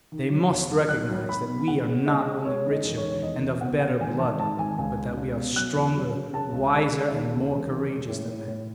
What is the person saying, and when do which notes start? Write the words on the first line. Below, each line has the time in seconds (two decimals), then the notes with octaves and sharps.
They must recognize that we are not only richer and of better blood, but that we are stronger, wiser, and more courageous than they.
0.12 D#3
0.30 F#3
0.50 E2
0.70 F#3
0.89 B1 F#6
1.09 F#3
1.28 B1 B5
1.48 B2
1.67 G#3 F#5
1.87 C#3
2.06 G#3 D#5
2.26 C#3
2.45 G#3 C#5
2.65 D#3
2.71 D#5
2.84 E1
2.97 C#5
3.03 D#3
3.22 E2 D#5
3.42 E2
3.61 B2 F#5
3.80 B2 F#5
4.01 G#1 G#5
4.19 G#1 A5
4.39 G#2 A5
4.58 G#1 G#5
4.78 C#2 G#5
4.97 C#2
5.16 C#2
5.36 B2
5.56 F#3 F#6
5.76 E2
5.95 F#3
6.14 C#3
6.33 C#3 A5
6.53 C#2
6.72 G#3
6.92 G#3
7.11 D#2
7.31 C#3
7.50 E1
7.70 E1
7.90 G#3
8.09 A2
8.27 A2
8.47 A2